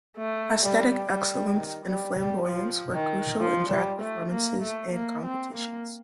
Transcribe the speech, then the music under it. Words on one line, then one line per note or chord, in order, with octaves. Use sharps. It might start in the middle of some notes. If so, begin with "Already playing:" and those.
Aesthetic excellence and flamboyance were crucial in drag performances and competitions.
A3
G3
G3
D#3
G3
G3
F3
D#3
F3
G3
A3
A#3
A3
A#3
C4
A#3